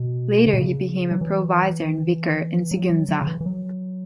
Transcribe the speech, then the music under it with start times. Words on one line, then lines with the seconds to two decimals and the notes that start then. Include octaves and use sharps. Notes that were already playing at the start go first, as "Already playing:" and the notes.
Later he became a provisor and vicar in Sigüenza.
Already playing: B2
0.47 C#3
0.54 B2
0.61 C#3
1.11 F#3
1.21 E3
2.71 F#3
2.90 F#3
3.09 F#3
3.21 C#3
3.27 E3
3.41 E3
3.46 F#3